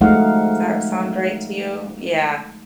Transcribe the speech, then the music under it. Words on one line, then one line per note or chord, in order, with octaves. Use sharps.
Does that sound right to you? Yeah.
F3 G#3 A3 D#4 F5 F#5